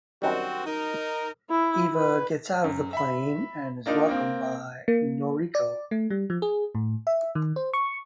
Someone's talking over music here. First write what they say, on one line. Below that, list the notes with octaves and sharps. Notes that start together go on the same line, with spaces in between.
Eva gets out of the plane and is welcomed by Noriko.
F#2 D#3 G3 C4 F#4
D#4 A#4
E4
B4
F#2
E5 B5
A#3 D4 D#4 F4 A#4
A#3 C4
A#3
D5
A3
G3
F3
G#4
A2
E5
D#3
C5
C#6